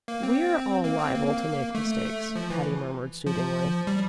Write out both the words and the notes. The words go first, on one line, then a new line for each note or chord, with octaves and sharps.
"We're all liable to make mistakes," Patty murmured soothingly.
A#3
C4
A#3
C4
A#3
A3
F3
E3
F3
G3